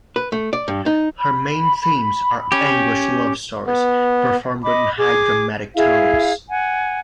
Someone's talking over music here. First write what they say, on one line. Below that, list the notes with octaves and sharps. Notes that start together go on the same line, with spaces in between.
Her main themes are anguished love stories performed in high dramatic tones.
B4
A3
D5
G2
D#4
B5
C#4 G4
B3
D#5 B5 D6
G#4 D6
E4 G#4 F5
F#5 G#5